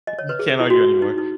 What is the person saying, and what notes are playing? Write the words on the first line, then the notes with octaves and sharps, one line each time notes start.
You can't argue anymore."
D#5
C#5
B4
G#4
E4
F#4
D#4
D#4